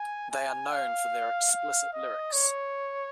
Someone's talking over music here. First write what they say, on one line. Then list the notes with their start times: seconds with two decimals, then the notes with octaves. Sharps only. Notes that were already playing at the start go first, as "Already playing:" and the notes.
They are known for their explicit lyrics.
Already playing: G#5
0.30 G#5
0.71 F5
1.52 F5
1.93 D#5
2.32 C#5